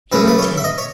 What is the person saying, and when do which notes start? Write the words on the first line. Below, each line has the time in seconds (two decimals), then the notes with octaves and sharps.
He went to him.
0.12 F#2 C#3 E3 B4
0.28 B4
0.38 C#5
0.57 E5
0.64 D#5
0.78 C#5